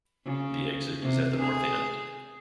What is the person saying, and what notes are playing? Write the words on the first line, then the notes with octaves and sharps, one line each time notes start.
The exit is at the north end.
C#3
C3
G#4